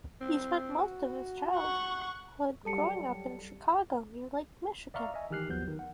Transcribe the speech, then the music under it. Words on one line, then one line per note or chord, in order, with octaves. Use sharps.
He spent most of his childhood growing up in Chicago near Lake Michigan.
C4
F#4
F#5 C#6
F#3 G3 A4 A5 C#7
D5 E5 F5 A#5 C#6 F6
D#5 E5 G#5
D#3 E3 G4 F6 F#6 C7
G1 D#2 F3 F#3 B3 G6
D#3
F#5